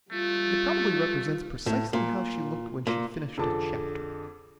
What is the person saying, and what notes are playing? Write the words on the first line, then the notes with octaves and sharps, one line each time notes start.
It probably represents precisely how she looked when she finished a chapter.
G3 A3 F4
A2
A#2
A#2
F2 D3 G#4 A4 A5 D6